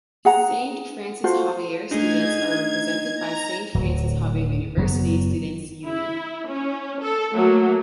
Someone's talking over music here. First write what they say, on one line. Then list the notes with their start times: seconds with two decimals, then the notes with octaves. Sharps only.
Saint Francis Xavier students are represented by Saint Francis Xavier University Students' Union.
0.25 G#4 F#5 A#5
1.24 F4 F#4 A4 C5
1.91 A3 D4 D#4 G#4 G#6
3.15 A#5
3.74 D1 F#3
4.77 F#1 F#3 B3
5.85 E4
6.48 C#4
7.01 A4
7.33 F#3 A3 A#3